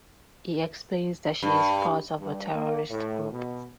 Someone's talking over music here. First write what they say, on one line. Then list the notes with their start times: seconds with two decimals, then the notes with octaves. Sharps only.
He explains that she is part of a terrorist group.
1.43 G2
2.20 G2
2.54 A#3
2.90 A2
3.32 B2